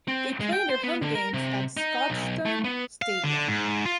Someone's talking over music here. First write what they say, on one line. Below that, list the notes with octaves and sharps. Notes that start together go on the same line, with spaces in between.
They play their home games at Scotstoun Stadium.
C4
G#3
G5
C5
B3
D3
A#4
C3
D#4
B1
A3
B3
F5
D3
G#2
F4